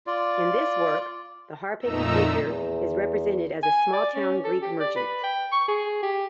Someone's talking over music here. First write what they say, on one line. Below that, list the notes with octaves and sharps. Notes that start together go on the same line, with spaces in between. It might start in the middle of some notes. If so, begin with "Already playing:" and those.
In this work, the Harpagon figure is represented as a small town Greek merchant.
F4 D5
F2 A#2 A3 D#4 A#5 E6
E2
G#5
D5
C#4
A4
G4
D5
B4
G5
C#6
G#4
G4